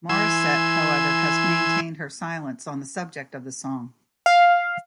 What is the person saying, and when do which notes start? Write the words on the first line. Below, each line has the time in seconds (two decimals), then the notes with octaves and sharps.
Morissette, however, has maintained her silence on the subject of the song.
0.09 E3 G#5 C6 E6
4.26 F5